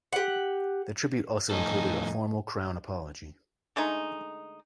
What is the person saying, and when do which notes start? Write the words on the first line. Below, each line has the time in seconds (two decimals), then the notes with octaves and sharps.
The Tribute also included a formal Crown Apology.
0.13 G4 F#5
1.50 F2 A2 D#4 A4 G#5
3.76 D3 G#3 A3 D#4